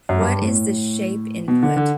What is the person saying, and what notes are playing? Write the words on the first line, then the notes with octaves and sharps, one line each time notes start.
What is the shape input?
F#2
G2
A2
B2
D3
D3